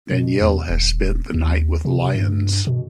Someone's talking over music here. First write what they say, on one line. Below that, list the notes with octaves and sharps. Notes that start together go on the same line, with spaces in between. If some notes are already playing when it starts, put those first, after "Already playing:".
Danielle has spent the night with lions.
B2
E2
D#1
D#2
C3
G2
B2